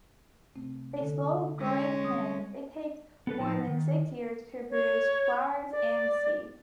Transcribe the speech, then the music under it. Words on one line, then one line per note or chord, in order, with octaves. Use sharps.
A slow-growing plant, it takes more than six years to produce flowers and seed.
C3 A3 C4
D3 A4
G#3 C#4
G3 C4 D#6
B3 A4 B4
A2 F3 B3 D#4 A5
D#3
C#5
D5